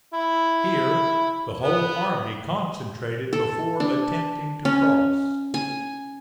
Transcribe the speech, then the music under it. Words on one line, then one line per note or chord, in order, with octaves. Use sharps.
Here the whole army concentrated before attempting to cross.
E4
B3
A4
D4
C#4
G#5